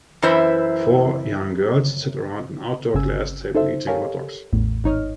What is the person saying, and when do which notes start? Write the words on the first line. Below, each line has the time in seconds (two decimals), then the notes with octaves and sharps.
Four young girls sit around an outdoor glass table eating hotdogs.
0.22 F#2 E3 E4 B4 C5 E5
2.94 G1 C#3 G#5 E6
3.55 D#4 A4 C5 E5
3.87 G4 A4 A#4 C#5 F5 G#5
4.53 A1 E2 A2
4.84 G#1 D#4 C#5 D#5 F6